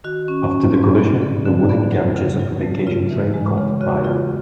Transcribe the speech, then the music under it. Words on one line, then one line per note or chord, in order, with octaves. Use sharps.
After the collision, the wooden carriages of the vacation train caught fire.
D#3 F#4
C#4
C#4
G#2
B3
D3
D3
B3
F#3
C#3
F#3
A3
C#3 F4
E3
G#3
C#3
C#3 F#4
C#3 F4